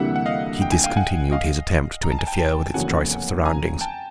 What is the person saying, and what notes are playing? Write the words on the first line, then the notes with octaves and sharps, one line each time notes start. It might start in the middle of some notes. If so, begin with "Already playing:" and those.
He discontinued his attempt to interfere with its choice of surroundings.
Already playing: D2 C3 E3 G3 A#3 E5 F#5
F#5
D#5 F5
G5
G#5
F5 G5
F#5 G#5
D#5 F5
A#5
A5
G#5
G5 A5
G5 A5
F1 E2 C#3 F#3 A#3 F#5 G#5
G#5 A#5
G5 A5